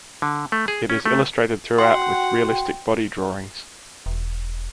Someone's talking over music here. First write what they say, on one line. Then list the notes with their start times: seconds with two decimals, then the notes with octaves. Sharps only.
It is illustrated throughout with realistic body drawings.
0.22 D3
0.52 A3
0.68 G#4
0.90 C#4
1.06 A3
1.78 F#4 F#5 G5 C6
4.06 E1